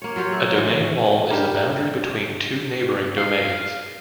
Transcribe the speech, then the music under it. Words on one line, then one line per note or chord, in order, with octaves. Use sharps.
A domain wall is the boundary between two neighboring domains.
A#3 C#5
F#3 F4 G4 C#5
A3
A2 E3 D4 F#4
G3 D4 G4 A#4
F5